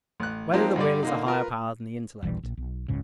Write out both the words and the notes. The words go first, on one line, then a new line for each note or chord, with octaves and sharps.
Whether the Will Is a Higher Power Than the Intellect?
A1 F#6
F3 F#3 A#3 C4 D#4 G4
G2 D3 G3 D5
D3 A#3 D#4
F4 A#4 B4
E1 A#1 E3 G3
A#1
B1
F#1 C#2 G#2 C#3